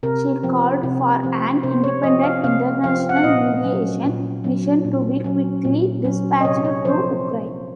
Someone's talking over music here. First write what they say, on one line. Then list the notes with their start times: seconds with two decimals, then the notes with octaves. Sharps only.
She called for an independent international mediation mission to be quickly dispatched to Ukraine.
0.03 C3 A#4
0.43 F3 C4
0.83 C3
1.23 F3 C4
1.63 C3 C5
1.84 C#5
2.03 F3 C4 D#5
2.23 F5
2.44 C3 F5
2.84 F3 C4 F5
3.09 F#5
3.17 F5
3.24 A#2 D#5
3.64 F#3 C#4
4.04 A#2
4.44 F#3 C#4
4.85 A#2
5.24 F#3 C#4
5.65 A#2
6.04 F#3 C#4
6.41 D#5
6.45 C3 C#5
6.65 C#5
6.85 F3 C4 C5